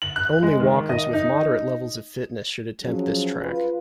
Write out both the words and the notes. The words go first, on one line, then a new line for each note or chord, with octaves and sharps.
Only walkers with moderate levels of fitness should attempt this track.
F#7
F#6
G#3
D#3
D#5
D#4
F3 F#3 C#4 G#4
F4 B4